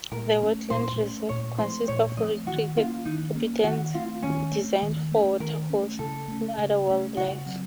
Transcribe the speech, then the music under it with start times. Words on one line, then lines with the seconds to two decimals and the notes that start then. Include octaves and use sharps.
The Wetland Reserve consists of re-created habitats designed for water fowls and other wildlife.
0.11 A#2 A#4
0.42 A3 C#4
0.70 A#2 C5
1.00 A3 C#4
1.29 A#2 C#5
1.58 F3 A3 C4 C5
1.88 A#2 C#5
2.17 F3 A3 C4 D#5
2.47 D#3 F#4
2.76 A#3 C#4 F4
3.05 D#3 D#4
3.35 A#3 C#4
3.64 D#3 F#4
3.94 A3 C4 F4
4.22 D#3 C#4
4.52 A3 C4
4.82 D#3
5.12 A3 C#4
5.40 D#3 A#4
5.70 A3 C#4
5.99 C#3 A4
6.28 A3 C#4
6.57 C#3
6.87 A3 C#4
7.17 C#3 F#4
7.46 F#3 C4